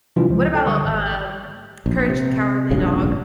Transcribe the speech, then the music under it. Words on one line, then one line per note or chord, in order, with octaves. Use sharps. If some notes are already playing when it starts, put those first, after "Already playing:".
What about, um, Courage the Cowardly Dog?
C3 E3 F3 G3 D4 F4
C#2 F3
A4 G5 A5
D3 G3 C#6 D#6
G#1
A#1
C3
F1 A#1 G2 C#3